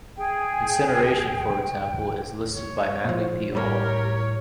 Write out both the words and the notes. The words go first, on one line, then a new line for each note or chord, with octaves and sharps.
Incineration, for example is listed by Manly P. Hall.
G#4 G5
C#5
A#2 F3
A2 G3 G4 A#4 C#5